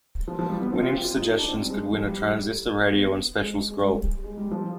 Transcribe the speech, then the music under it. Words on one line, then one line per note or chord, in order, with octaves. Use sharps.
Winning suggestions would win a transistor radio and special scroll.
F3
F3
G3
B3
C4
F4
G4
F4
D#4
D#4
D4
C4
G3
G#3
G3
F3
G3
B3
G#3
G#3
G3
G#3
G3
F3